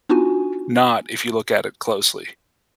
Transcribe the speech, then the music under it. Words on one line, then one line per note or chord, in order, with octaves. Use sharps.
not if you look at it closely.
B3 D4 D#4 F4 F#4 G#5